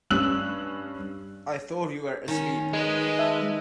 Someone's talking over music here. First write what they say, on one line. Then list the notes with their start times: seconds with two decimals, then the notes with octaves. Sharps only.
I thought you were asleep.
0.11 G2 C#4 E6 F#6 F#7
2.28 D#3 C#4
2.73 G#3 B4 D#5
3.19 E5 A5 E6